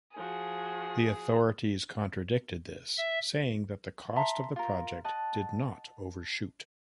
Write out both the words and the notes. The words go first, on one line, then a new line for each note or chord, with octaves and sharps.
The authorities contradicted this, saying that the cost of the project did not overshoot.
F3 F#4 G#4
E5
E5 A5 A#5 C6
F4 A#4
D#5 F#5 A5